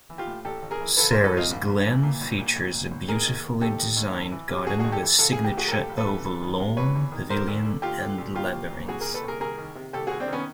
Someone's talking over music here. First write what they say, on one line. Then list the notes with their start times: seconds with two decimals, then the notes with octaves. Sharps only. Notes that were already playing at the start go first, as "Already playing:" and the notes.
Sarah's Glen features a beautifully designed garden with signature oval lawn, pavilion and labyrinth.
0.10 E3
0.18 F4 G4
0.27 A2
0.45 A1 G4 A4
0.62 A1
0.71 G#4 A#4
0.80 E3
0.97 A#1 A4 B4
1.10 E3 A#4 C5
1.24 A4 B4
1.33 G#2 D#4 F4
1.51 A#1
1.67 A#1
1.86 E3
2.03 A#2
2.21 B1
2.38 A#2
2.56 B1
2.73 A#2
2.91 B1
3.08 D#3 G#4 A#4
3.26 D#2
3.43 D#3
3.61 D#2 G4 A4
3.79 D#3
3.96 D#2
4.14 G#1
4.32 E3
4.49 G2
4.66 G#1 F#4 G#4
4.79 G#1 F#4 G#4
4.92 G4 A4
5.02 E3
5.19 A#1 A4
5.32 E3 G#4
5.44 G4
5.54 A2 F#4 G#4
5.68 A#4
5.71 A#1 G4 A4
5.89 A#1
5.98 A4 B4
6.07 E3
6.24 E2
6.42 D#3
6.60 C3
6.77 E2 B4 C#5
6.95 E2
7.12 D#3
7.30 D3 A#4 C5
7.48 D2
7.65 D3
7.82 D2 F4 G4
8.00 D3
8.18 D2
8.35 A#2 F4 G4
8.52 C2
8.71 A#2
8.88 C2 F#4 G#4
9.01 A#2 G#4 A#4
9.14 A4 B4
9.24 C2 G#4 A#4
9.40 C2 G#4 A#4
9.58 D#3
9.75 C3
9.93 C2 G4 A4
10.07 C2 F#4 G#4
10.20 C4 D4
10.28 D#3 B3 C#4